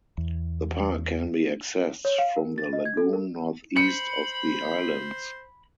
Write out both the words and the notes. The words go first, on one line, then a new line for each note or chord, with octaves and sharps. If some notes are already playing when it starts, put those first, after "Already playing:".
The park can be accessed from the lagoon northeast of the islands.
E2
C#5
F5
A#4
A6
D#5
G#6
A4
A#4
C5 B5 C#7